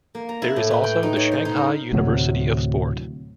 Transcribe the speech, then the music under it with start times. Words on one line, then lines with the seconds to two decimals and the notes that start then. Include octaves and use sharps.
There is also the Shanghai University of Sport.
0.15 A#3
0.29 A#5
0.42 E4
0.56 A2
0.71 B4
0.84 G5
1.03 D#4
1.16 C#5
1.32 C5
1.45 D#4
1.57 A#4
1.93 D2 A2 C3 F#3